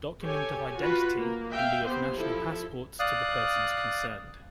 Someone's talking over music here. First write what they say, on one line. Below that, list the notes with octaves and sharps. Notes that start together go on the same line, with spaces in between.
Document of Identity, in lieu of national passports to the persons concerned.
G4 A4 C#5 G#5
F4 F#4 B4
A#3
E5 F5 G5
B3 C4 G4 C5
F3 E4 A4
D5 F5 D#6 F#6